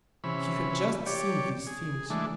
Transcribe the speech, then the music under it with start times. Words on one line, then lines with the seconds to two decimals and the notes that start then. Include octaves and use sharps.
He had just seen these things.
0.24 C3 E3 C#4 B5
1.06 G4 C#5 D5
1.67 G#4
2.10 E3 G#3 A3 D4